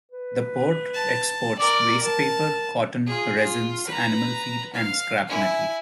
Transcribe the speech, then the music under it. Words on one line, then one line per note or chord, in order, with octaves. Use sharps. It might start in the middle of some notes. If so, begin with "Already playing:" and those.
The Port exports wastepaper, cotton, resins, animal feed, and scrap metal.
B4
A5
A#4 D5 D6
A#4 A5
F4 G#4
F4
B4 A#5
F5
E4 G#5